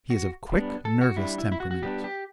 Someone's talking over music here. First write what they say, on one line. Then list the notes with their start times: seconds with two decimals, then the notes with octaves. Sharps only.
He is of quick, nervous temperament.
0.10 F#4
0.52 G3 B3 D4
0.85 A4
1.01 F#4
1.17 G3 D4 E4
1.38 E4
1.52 E4
1.60 F#4
1.71 F#4
1.82 G3 B3 D4 G4
2.04 G4